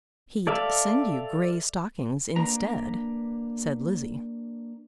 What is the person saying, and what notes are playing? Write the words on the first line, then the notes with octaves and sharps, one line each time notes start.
"He'd send you grey stockings instead," said Lizzie.
A4 D5 E5 F5
A#3 D4 B4 A#5